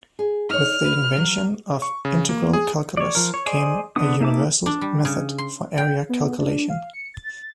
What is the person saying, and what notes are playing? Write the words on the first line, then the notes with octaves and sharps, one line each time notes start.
With the invention of integral calculus came a universal method for area calculation.
G#4
D#4 C#5 F6
B4
F#3
C#6
C#3
A#3
G#4
C#5 D5
F3 A#4
C#5
G#4 C5 D5 D#5 G#5
D3 B3 D4 D#6
A#3 D#4 E5 A5 D6
D4
G3
C#3
C6
G5
B3
D4
F5
C#7
A6